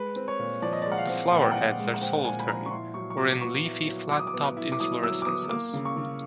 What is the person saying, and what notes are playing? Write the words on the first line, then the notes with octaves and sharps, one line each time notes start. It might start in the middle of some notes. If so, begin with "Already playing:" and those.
The flower heads are solitary or in leafy flat-topped inflorescences.
Already playing: G#3 B4
C4
C#5
A#2
F3 D5
D#5
G#3 D5
F#5
F5
C4
A#2 F#5
G5
F3 F#5
G#3
F#5
C4 G5
A#2 G#5
B5
F3 A#5
C#6
E4 C6
F#3 C#6
C#6
F#3 D6
B3 C#6
E4
F#3
F#3 D6
D#6
D6
B3
E4
D6
F#3 D#6
F#3 E6
D6
B3 D#6
A#3 D6
C#3
C#6
C#3